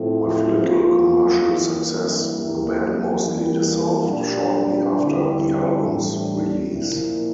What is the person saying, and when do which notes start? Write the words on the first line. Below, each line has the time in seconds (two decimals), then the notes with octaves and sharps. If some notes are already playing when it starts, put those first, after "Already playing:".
With little commercial success, the band mostly dissolved shortly after the album's release.
Already playing: A2 F3 C4 E4 A4
0.61 F3 A#3 F4
1.47 G2 E3 G3 A#3 E4
2.34 E2 E3 A#3 E4 G4
3.22 E3 G3 A#3
4.09 A#2 G3 D4
4.96 G2 D3 G3 C4 E4
5.82 A2 E3 G3 D4 G4
6.70 A#2 F3 A#3 E4